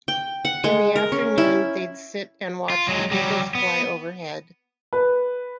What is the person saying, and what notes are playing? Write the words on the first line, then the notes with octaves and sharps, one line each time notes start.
In the afternoon they’d sit and watch the eagles fly overhead.
G5
F#5
G#3
A#4
C#4
E4
F4
F#3 G#3
F#3 G3
B3
B4